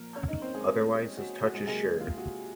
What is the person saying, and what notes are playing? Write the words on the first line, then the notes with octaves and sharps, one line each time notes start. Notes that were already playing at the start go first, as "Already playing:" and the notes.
Otherwise his touch is sure.
Already playing: A#2 F3 A#3 A#4
C#4 C#5
D#4 D#5
C4 C5
G#3 G#4
F#4
F#4
G#3 G#4
C3 F#3 G#3 A#3 G#4
F4
F#4